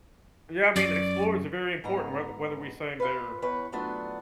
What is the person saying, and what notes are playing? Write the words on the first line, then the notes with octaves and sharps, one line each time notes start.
Yeah, I mean, explorers are very important whether whether we saying they're,
F#2 D5
G#2 B3 A#5
F4 B4
E2 B4 C#5
F#3 A3 B3 D4 F4